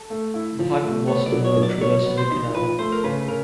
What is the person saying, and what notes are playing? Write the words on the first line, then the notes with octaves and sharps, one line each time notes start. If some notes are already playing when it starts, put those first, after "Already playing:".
The hypoglossal nerve traverses the canal.
Already playing: A4
A3
E4
F3
A3
B3 C#5
D5
F#3
C#5
F#3
D5
F#3 C#5
B3
C5
D#4
F3 B4
A3 C5
A#4
C#3 B4
C#3 A#4